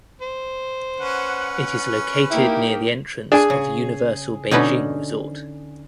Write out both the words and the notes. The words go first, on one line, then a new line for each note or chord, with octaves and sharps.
It is located near the entrance of Universal Beijing Resort.
C5
C#4 B4 F#5
A#3 D#4 E4 G4 A#4
D4 G#4 G#5
C#3
B2 D3 C#4 D#4 B4